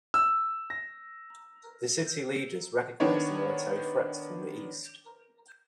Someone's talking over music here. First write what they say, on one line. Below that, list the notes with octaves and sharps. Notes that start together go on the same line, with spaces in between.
The city leaders recognized a military threat from the east.
E6
A#6
D#3 B3 D4 C#5